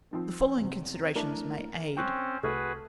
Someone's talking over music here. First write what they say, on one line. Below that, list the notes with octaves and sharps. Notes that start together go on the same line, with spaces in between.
The following considerations may aid.
D#3 F3 C4
E2 C3
A3 D4 E4 A#4
C4 C#4 C5 G5 C#6 F#6
C2 A3 F#4 G#4 B4 F6 G#6